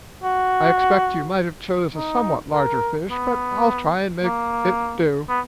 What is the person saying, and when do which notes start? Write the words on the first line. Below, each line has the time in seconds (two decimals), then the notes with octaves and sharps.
I expect you might have chose a somewhat larger fish, but I'll try an' make it do.
0.23 F#4
1.95 D#4
2.53 A#4
3.10 B3
4.24 A#3
5.29 B3